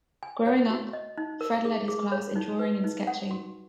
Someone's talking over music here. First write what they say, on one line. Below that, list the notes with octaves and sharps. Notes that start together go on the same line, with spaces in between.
Growing up, Fred led his class in drawing and sketching.
G#5
C#5
F#4
D#5
D#4
A#4
G#4
G#4
C#5
D#4
B4
D#4
F#5
F#4